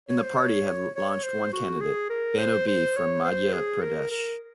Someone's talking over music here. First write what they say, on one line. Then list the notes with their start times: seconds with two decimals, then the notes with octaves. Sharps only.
In the party had launched one candidate, Bano Bee from Madhya Pradesh.
0.09 C#5
0.23 C5
0.38 C#5
0.96 C#5
1.10 C#5
1.23 C5
1.53 F#4
1.81 G#4
2.10 A#4
2.39 C5
2.67 C5
2.97 C#5
3.25 C5
3.53 G#4
3.82 A#4
4.11 A#4